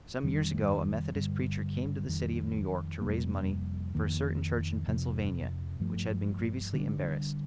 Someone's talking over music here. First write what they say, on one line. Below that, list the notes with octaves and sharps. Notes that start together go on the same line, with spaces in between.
Some years ago a Methodist preacher came to the city of New York to raise money for a certain church in Pennsylvania which had been grievously embarrassed.
F2 D#3 G3 D4
G2 D3 G3
F2 D#3 G3
F2 C3 G3 A#3
F2 D#3 A#3
F2 C3 F3
G2 F3 A3
D3 G3 A#3 D4